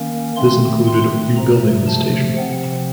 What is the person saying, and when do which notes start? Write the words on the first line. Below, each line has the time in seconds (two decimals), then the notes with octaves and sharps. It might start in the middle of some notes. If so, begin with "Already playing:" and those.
This included rebuilding the station.
Already playing: D#3 A#3 C#4
0.36 D#3 A3 C4 C6
0.86 C6
1.36 C3 F3 A3 A#5
1.87 A5
2.37 C3 F3 C4 F#5